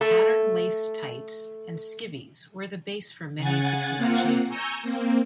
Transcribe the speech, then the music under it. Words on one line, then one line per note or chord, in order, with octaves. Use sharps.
Patterned lace tights and skivis were the base for many of the collection's looks.
A3 A4
C#3 F#5 G#5 G#6 A6
A#3 C4 F4 F#5
G#5 A#5 C#6 E6 G6
A#3 C4